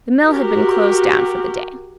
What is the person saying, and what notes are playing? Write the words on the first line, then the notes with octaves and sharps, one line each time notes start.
The mill had been closed down for the day.
F#4 G4 A#4